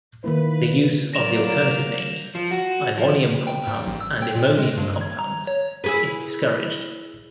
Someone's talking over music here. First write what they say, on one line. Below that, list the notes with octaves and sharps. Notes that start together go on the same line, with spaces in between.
The use of the alternative names imonium compounds and immonium compounds is discouraged.
D#3 A#3 E4 B4
F#3 A#3 D5 A#6 E7 F7
F3
F#4
F3
G5
G#2
A1
E6
G5
A#2
G#3
G2
G#6
A#5
C#5
E4 G#4 B4